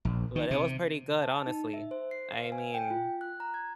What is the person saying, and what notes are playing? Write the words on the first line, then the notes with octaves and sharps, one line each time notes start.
but it was pretty good, honestly. I mean
A#1
D#3
C3
A5
D#4
E5
C5
C7
F5
G#5
G5
F4
F#6
A#5
G#6